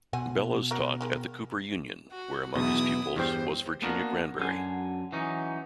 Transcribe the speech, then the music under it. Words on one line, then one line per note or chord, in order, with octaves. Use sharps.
Bellows taught at the Cooper Union, where among his pupils was Virginia Granbery.
B2 C4 F#5 G#5
E3 F#3 A#4
D#3 G#3 A#3
F#4
B1 E2 B2 E4 D#6
E2 G2 C5 G5
A#3 B3 D4 F#4 A#4
F#2 D3 F#3 G#5
E3 F#3 C#4 D#4